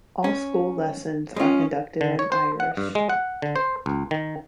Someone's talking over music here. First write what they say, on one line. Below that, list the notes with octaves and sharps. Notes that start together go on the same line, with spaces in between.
All school lessons are conducted in Irish.
C#4
G#3 C#4 F4
D3
C#5
C5
F#5
G2
G#3
F#5
D3
C5
C#2
D#3